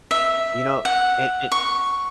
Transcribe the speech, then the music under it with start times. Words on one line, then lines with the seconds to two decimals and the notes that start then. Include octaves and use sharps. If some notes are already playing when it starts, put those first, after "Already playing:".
You know, it it
0.11 E5
0.85 F#5
1.52 C#6